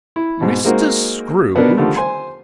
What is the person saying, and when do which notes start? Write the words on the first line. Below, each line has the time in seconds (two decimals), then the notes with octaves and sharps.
"Mr. Scrooge?"
0.16 E4
0.41 G#2 B2
0.65 G#3 A#3 C4 D#4 F#4
1.55 B2 B3 C4 D4 A#4 C5
1.77 D3 D#3 F3 G3 A3
1.96 C5 G#5 C6